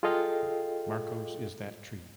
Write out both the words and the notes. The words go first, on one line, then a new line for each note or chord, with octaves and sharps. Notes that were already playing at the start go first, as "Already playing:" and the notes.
Markos is that tree.
F4 G#4 A4 D#5 F5 G5